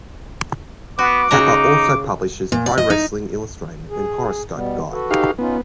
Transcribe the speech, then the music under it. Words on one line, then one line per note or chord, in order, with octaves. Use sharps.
Kappa also publishes "Pro Wrestling Illustrated" and "Horoscope Guide".
B3 F#4 D6
C#3 D#4 F#4 A#5
A#2
D5
D#5
D#4
G#4
B2 G3 B3
F#4 A4 B4
D#4 G4 F5
B3 C#4 D#4 F4